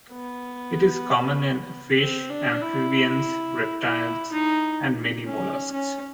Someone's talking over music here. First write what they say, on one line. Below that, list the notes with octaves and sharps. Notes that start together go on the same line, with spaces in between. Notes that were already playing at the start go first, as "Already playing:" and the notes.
It is common in fish, amphibians, reptiles, and many molluscs.
B3
C4
D4
E4
E4
D#4
C#4
C#4